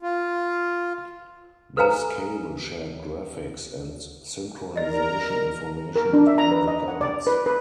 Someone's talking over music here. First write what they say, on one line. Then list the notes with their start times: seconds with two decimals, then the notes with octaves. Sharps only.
This cable shared graphics and synchronization information between the cards.
0.02 F4
1.77 A4 B4 C5 F5 G#5 A#5
4.76 A#4 D5 D#5 A#5
5.96 A#4
6.13 D4
6.27 E5
6.38 A#5
6.51 B4
6.68 D#5
6.88 F#5
7.01 D5
7.27 B4
7.46 B4